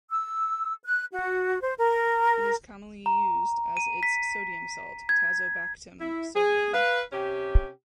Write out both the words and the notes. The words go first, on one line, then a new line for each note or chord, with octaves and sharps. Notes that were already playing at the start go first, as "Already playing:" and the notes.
It is commonly used as its sodium salt, tazobactam sodium.
E6
F#6
F#4
C5
A#4
A#5
D#7
B6
G#6
E4
G#4
B4 F5
C3 C#4 G4